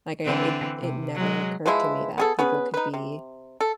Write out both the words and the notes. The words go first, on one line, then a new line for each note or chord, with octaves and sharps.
Like, I it it never occurred to me that people could be
D3 E3 C4
C3
F#3 G#3
E3 F3 G#3 E4
B3 G#4 A4
B3 C#4 G#4 B4
D#4 B4
C3
A4